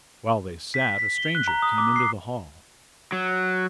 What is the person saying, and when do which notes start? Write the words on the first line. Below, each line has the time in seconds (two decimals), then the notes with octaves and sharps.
While they sat, a stranger came into the hall.
0.74 B6
0.99 B6
1.18 G7
1.35 F#6
1.48 A#5
1.62 D#6
1.78 D6
1.96 C7
3.12 F#3